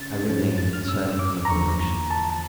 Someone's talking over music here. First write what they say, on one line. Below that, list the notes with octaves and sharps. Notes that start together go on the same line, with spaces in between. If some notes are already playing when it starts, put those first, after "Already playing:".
I remained in silent contemplation.
Already playing: C#3 C#4 A6
A2 F3 C#4
A6
F6
E6
E6
D6
A#5
E2 D3 F3 A#3 C#6
A#5
A5
A5